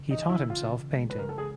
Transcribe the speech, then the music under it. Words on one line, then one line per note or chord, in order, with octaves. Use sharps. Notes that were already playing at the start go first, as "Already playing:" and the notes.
He taught himself painting.
Already playing: C#3
D#4
E3
E4
C#3
F4
C#3
G#3
B4
C#3 A#4
A4
G#4